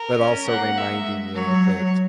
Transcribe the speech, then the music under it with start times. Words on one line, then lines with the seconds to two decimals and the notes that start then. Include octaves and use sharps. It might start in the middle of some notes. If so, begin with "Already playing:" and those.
but also reminding you that
Already playing: A#4
0.19 C#4
0.47 A#3 F#5
0.77 G#3 E5
1.35 F#3 C#5
1.63 F#3